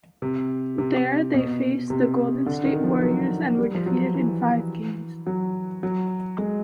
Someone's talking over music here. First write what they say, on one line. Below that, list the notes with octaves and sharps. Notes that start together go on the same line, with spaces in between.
There they faced the Golden State Warriors and were defeated in five games.
C3
C3
B2
C3
D3
D#3
F3
F#3
G3
F3
F#3
E3
F#3
F#3
G#3